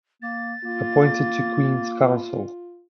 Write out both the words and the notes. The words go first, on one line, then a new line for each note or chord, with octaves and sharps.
Appointed to Queen's Council.
A#3 A6
A#3 F4